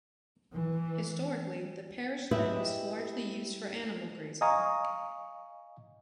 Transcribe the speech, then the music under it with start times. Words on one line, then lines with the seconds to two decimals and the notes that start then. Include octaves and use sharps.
Historically, the parish land was largely used for animal grazing.
0.53 E3
2.31 E4 G4 G#4 B4 D#5 E5
4.41 D#5 F5 G#5 A#5 C#6 D#6